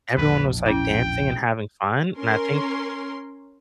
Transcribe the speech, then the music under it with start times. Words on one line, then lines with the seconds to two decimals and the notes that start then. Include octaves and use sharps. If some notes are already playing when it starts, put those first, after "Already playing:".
everyone was, like, dancing and having fun, and I think
0.17 A#1 E2 A2 B4
0.66 C#4 E4 G5
2.16 C#4 A#4 C6